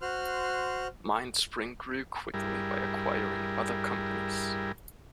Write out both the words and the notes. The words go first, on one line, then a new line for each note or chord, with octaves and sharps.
MindSpring grew quickly by acquiring other companies.
F#4 C5 C6 F6 F#6
G2 G3 E4 G#4 A#4